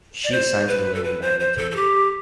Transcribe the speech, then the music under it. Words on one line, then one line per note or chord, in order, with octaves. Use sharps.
She is signed to the label Magnatune.
D5
C5
B4
A4
B4
C5
C5
A4
A4
G4